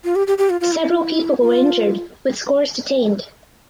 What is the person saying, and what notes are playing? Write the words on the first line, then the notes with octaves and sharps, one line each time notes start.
Several people were injured with scores detained.
F4
G4
G4
G4
F4
F4
E4
F4